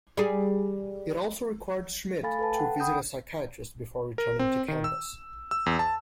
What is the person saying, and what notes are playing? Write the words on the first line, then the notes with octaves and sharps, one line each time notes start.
It also required Schmidt to visit a psychiatrist before returning to campus.
G3 G#4
A3 A4 F5 G#5 B5 A6
A4 B4 A5
F#5 G5
F#5 G5 B5 D#6 G6
A#4
C4
D#3
E6
E6
E2
A5